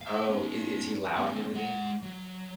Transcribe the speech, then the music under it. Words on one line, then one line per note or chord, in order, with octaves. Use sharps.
Oh, i is he loud and everything?
E5 F5
C#4 D#4
B3 C#4
G#3 F#5
F#3